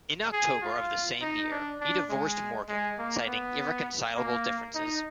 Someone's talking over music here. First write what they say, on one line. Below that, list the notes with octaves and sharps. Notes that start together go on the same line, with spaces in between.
In October of the same year, he divorced Morgan, citing irreconcilable differences.
G#4
F4
D#4
D4
D4
G#3
G#3
A#3
B3
A#3
D#4